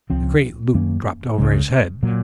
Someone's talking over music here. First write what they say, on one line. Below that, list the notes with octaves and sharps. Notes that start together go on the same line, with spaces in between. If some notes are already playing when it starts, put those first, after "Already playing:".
The great loop dropped over his head.
C#2 C#3 F3 C4
F#2 D#3 A#3 C#4
C#2 C#3 G#3
A#2 F#3